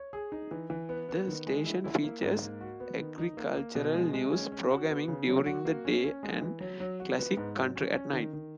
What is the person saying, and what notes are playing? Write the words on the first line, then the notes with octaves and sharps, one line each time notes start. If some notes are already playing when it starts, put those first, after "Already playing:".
The station features agricultural news programming during the day and classic country at night.
Already playing: C#5
G#4
D#4
E3
E3
B3
B3
D#3
G#3
E4
E4
A#3
G#2
A#3
F#4
B3
D#3
D#4
A#3
A#3
B2
G#3
G#3
C#4
C#4
F#4
B3
C#3
F#3
F#4
A#3
C#4
C#4
G#3
E3
F#3
F#3
F#4
B3
G#2
F#3
C#4
C#4
D#3
D#3